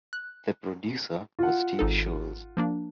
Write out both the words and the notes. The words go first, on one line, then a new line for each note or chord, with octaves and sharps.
The producer was Steve Sholes.
F#6
F4 F#5
G#1 D#4 A4
F3 A#3 D4